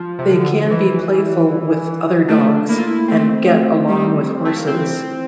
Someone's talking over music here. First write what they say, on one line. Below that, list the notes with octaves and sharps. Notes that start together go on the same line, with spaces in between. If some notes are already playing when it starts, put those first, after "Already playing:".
They can be playful with other dogs, and get along with horses.
Already playing: F3
C3
D3 F3
E3 F3
A3 D4
A#3 E4
F4
E4
A3 C4
A3
G3
A3
A#3
E3 C4